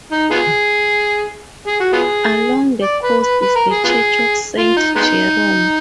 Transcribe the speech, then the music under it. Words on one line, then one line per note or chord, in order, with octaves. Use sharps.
Along the coast is the church of Saint Jerome.
D#4
B3 F4 G#4
G#4
F#4
B3 F4 G#4
D5
B4
B4
B4
A#4
G#4
B3 F4 G#4
F4
D#4
G#3 B3 D#4